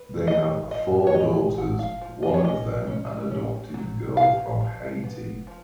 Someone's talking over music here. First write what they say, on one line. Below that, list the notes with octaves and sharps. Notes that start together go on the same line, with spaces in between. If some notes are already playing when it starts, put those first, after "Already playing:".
They have four daughters, one of them an adopted girl from Haiti.
Already playing: B4
F#3 D#5
F3 D#5
C#5
G#3 D#5
F3 F#5
F5
F3
D#5
C#5
C#4 D#5
C#4
C#4
F#3
B3 F5
F3
B3
F3